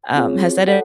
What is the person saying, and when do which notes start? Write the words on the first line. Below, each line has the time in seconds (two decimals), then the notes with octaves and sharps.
um, has that
0.15 C4 F4 G#4 C#5
0.42 F#4
0.68 A4 C#5 F#5